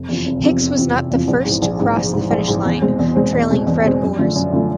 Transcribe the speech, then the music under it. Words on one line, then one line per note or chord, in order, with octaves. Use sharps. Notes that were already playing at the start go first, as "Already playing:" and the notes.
Hicks was not the first to cross the finish line, trailing Fred Lorz.
Already playing: F1
E2 C3 F3
F1
E2 C3 F3
F1
E2 C3 F3
F1
E2 C3 F3
A#1
G#2 E3
A#1
G#2 E3
A#1
G#2 E3
A#1
G#2 E3
E2
B2 G#3 C4
E2
B2 G#3 C4
E2
B2 G#3 C4
E2
B2 G#3 C4
F#2
D3 F3 A3
F#2
D3 F3 A3